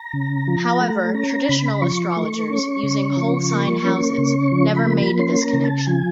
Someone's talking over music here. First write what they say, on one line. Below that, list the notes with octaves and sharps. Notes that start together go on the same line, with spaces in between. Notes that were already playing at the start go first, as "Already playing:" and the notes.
However, traditional astrologers, using whole-sign houses, never made this connection.
Already playing: A#5
C#3
F3
A3
C#4 A#5
C#3 B5
F3 C#6
A3
C#4
C#3
F3
A#3
C#4
C#3
F3
B5
A#3
B5
C#4 C6
A#5
C#3
A5
F3 G#5